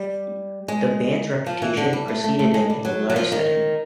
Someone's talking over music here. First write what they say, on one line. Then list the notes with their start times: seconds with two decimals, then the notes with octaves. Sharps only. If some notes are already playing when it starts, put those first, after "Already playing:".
The band's reputation preceded it in the live setting.
Already playing: G3
0.68 G#3
1.46 F3
1.62 E3
1.77 D3
1.93 G3
2.08 A3
2.24 A3
2.39 A3
2.54 G#3
2.70 G3
2.85 F#3
3.10 F#3
3.16 F3
3.32 D#3